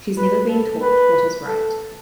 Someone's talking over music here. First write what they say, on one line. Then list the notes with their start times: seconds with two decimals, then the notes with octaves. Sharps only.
She’s never been taught what is right.
0.17 B4
0.49 A4
0.81 B4
1.47 A4